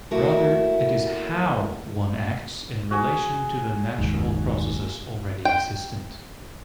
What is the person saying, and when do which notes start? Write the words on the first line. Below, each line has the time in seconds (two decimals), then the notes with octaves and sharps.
Rather, it is "how" one acts in relation to the natural processes already existent.
0.11 A3 A#3 E4 F#4
2.91 F#4 G#4
3.98 F#1 D#2 G#2
5.45 G5